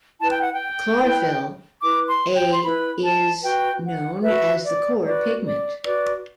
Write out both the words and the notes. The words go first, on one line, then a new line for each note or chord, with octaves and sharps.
Chlorophyll "a" is known as the core pigment.
E4 B4 A5
G5
F#5
G5
E4 B4
E4 B4 D6
C6
G5
C6
E4 B4 B5
A5
F#4 B4 G5
F#5
F#4 B4 E5
D5
F#4 B4 D5
D5
F#4 B4 D5